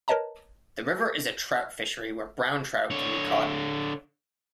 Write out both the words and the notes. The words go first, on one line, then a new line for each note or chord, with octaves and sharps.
The river is a trout fishery where brown trout can be caught.
A#4 B4 C#5 D#5 A5 A#5
D3 C#5